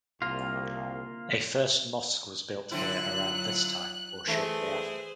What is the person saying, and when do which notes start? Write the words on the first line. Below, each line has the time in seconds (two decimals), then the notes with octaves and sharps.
A first mosque was built here around this time or shortly after.
0.22 C2 A#3 F4
2.71 D3 F#3 C4 E4 F4 F#6
4.27 E3 A3 G#4 B4 C5